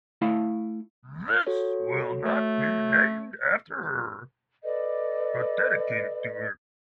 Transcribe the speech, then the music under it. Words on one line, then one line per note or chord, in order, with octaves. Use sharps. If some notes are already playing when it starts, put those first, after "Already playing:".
This will not be named after her, but dedicated to her.
A3 E4 F5
F#4 A4 C#5
A3
A4 B4 D5 D#5